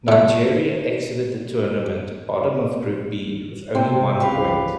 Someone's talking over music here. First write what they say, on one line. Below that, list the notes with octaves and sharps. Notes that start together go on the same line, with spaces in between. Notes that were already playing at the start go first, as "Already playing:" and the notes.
Nigeria exited the tournament bottom of Group B with only one point.
A2 A3
C3 C4
C#2 G4 B4 F5